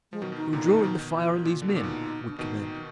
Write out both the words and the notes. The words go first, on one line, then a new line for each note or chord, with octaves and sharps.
"You're drawing the fire on these men," Wood commanded.
F3 G#3
B2 D#3 F#3
B2
D#4
B2
A#2 D3 D#4
B2 D#3
F3
B2 D#3
B2
F4
A#2
D3
B2
A#2 D#4
B2
D4
B2 D#3 D#4